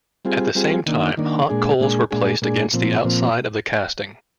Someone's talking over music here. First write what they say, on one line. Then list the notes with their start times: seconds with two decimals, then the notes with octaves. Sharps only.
At the same time hot coals were placed against the outside of the casting.
0.25 G3 C4 F4 G#4
0.55 G3 C4 F4 G#4
0.86 D#3 A#3 D4
1.17 D#3 A#3 D4
1.49 A#2 G#3 D4 G#4
1.80 A#2 G#3 D4 G#4
2.11 A#2 G#3 D4 G#4
2.42 A#2 G#3 D4 G#4
2.73 A#2 F3 C4
3.04 A#2 F3 C4